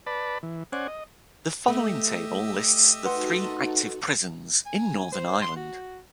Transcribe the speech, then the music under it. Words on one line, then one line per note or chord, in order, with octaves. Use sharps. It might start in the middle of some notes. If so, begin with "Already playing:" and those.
The following table lists the three active prisons in Northern Ireland.
B4 D5 A5 B5
E3
C#4 C5 D5 F#5 G#5
D#5
A3 G4 D#5 E5
D#4 F#4 A4 B4 F#5 C6
G#5
C5
C6
F#4